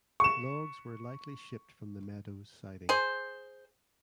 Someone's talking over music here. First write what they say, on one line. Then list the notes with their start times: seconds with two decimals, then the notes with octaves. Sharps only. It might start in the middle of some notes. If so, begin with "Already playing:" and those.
Logs were likely shipped from the Meadows siding.
0.20 C#6 E7
2.89 G#4 C5